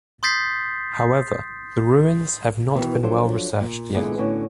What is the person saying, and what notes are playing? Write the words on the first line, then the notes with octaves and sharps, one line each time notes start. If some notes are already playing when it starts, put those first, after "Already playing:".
However, the ruins have not been well researched yet.
C6 D#6 G6 A6 B6 C7
B2 D#3 E3
F3 F#3 D4 A4 C5
A#2
A#2 D3 E3 G#3 B3
A2 D3 C#4 F#4